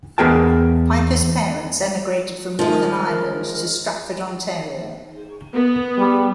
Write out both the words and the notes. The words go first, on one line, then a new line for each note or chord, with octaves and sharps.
Pyper's parents emigrated from Northern Ireland to Stratford, Ontario.
E2 B3 G#4 A#4 G5 A5
D#3 F3 G#3 F4 A#4
B3
G3